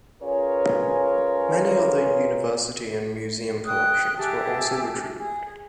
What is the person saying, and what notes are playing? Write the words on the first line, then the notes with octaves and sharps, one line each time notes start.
Many other university and museum collections were also retrieved.
C#4 F4 G#4 A#4 B4 C#5
G5 D#6 F#6
G4 G#4 E5 A5
G#4